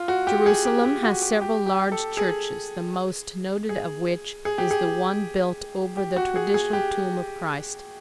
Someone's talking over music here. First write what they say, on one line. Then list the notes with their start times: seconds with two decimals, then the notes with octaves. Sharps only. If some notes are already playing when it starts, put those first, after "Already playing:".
Jerusalem has several large churches the most noted of which is the one built over the traditional tomb of Christ.
Already playing: F4
0.08 F#4
0.27 G4
0.46 G#4
0.65 G4
0.84 G4
1.03 F#4
1.22 G4
1.41 G4
1.66 G4
1.92 A4
2.17 G#4
3.69 G#4
4.45 G#4
4.58 G4
4.71 G#4
5.97 G4
6.16 F#4
6.36 G#4
6.54 G#4
6.73 G4